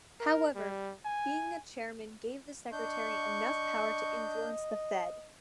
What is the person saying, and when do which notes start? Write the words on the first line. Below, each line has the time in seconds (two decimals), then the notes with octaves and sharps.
However, being a chairman gave the secretary enough power to influence the Fed.
0.20 A#4
0.55 G3
1.05 G#5
2.72 D4 D#5 C#6 G6